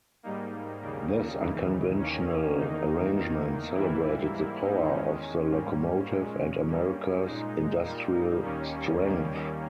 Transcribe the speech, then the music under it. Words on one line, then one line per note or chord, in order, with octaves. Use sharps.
This unconventional arrangement celebrated the power of the locomotive and America's industrial strength.
G#2 G3 A#3 D#4
D#2 C#3 G3 A#3
D#2 C#3 E3
D#2 D#3 A#3 C#4
E2 D#3 A#3 D#4
E2 D#3 A#3
G#2 E3 G3 A#3 E4
G#2 G3 A#3 E4
D#4
E2 D#3 G#3 C#4
G#2 G3 A#3
A#2 G#3
G2 G3 A#3
A#2 G#3 D#4
A#2 G3 A#3
D#2 D#3 G3 A#3 C#4
D#2 D#3 G3 A#3